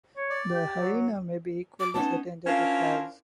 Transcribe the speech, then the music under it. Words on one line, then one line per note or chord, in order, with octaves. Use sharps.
The hyaena may be equally certain that it has.
C#5
D5
G4
F#3
D6
B3 C#4 D#4 A5
C#4 D4 E4 F4 A#4 C5